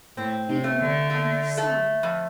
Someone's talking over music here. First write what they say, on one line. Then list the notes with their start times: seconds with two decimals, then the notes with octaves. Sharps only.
"Feeding on the sun!"
0.17 A2 C4
0.49 C3
0.64 A3
0.80 D3
1.10 A3
1.57 A3
2.03 F2